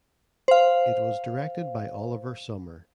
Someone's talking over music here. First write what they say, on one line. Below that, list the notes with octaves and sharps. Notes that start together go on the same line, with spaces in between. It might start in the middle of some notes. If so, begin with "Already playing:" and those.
It was directed by Oliver Sommer.
C5 F5